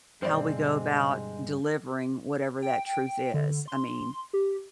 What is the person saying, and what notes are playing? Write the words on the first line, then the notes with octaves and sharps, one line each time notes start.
how we go about delivering whatever that truth is. I mean,
G2 B2 D3 G#3 C4 C5 D5
G5
D3
C6
G4